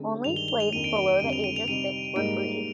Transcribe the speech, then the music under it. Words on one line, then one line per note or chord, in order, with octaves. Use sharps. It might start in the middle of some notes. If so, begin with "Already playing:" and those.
Only slaves below the age of six were freed.
Already playing: D3 G#3 C4 D#4
G2 D#3 G#3 F7
G7
G7
F7
F2 D#3 A#3 D4 D#7
D7
D7
D7
F2 D3 G3 C4 D#7
F7
D#7
F7
C3 G3 C4 D#4 D#7
G#2 G3 A#3 D#4 D7